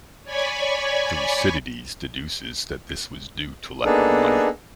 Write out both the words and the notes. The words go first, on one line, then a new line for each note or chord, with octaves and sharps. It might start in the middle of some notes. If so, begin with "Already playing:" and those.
Thucydides deduces that this was due to lack of money.
C#5 D5 G#5 B5 C#6
A#3 B3 D4 D#4 G#4 A4